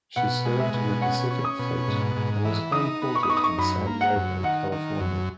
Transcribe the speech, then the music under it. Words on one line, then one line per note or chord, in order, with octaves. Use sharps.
She served in the Pacific Fleet and was homeported in San Diego, California.
B2 F#5
G#3
E5
B2
C#4 F#5
C#4
D#6
B2
G#2
G#2
E3
D#4 D#6
B3
C#6
D#6
D#4 C#6
D#6
C#6
F#2 B5
A#3
F#5
F#2
D#3 F#5
D#3
F#2